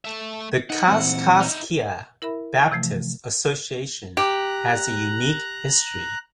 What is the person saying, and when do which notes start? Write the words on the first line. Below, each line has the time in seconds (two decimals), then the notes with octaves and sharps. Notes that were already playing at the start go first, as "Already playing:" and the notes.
The Kaskaskia Baptist Association has a unique history.
0.05 A3 E5
0.70 D#4 F#5
0.88 A#2 E3 C4
1.40 D#4 E4
2.22 E4 A#4 E5 B5
2.71 C3 E3 F3 A3
4.17 G4 A#5 F#6